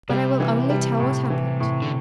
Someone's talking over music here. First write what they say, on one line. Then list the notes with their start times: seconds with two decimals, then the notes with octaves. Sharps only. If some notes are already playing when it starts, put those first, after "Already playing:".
But I will only tell what happened.
0.09 C3 G3
0.40 E3
0.70 G3
1.00 A2
1.30 E3
1.60 A2
1.82 D3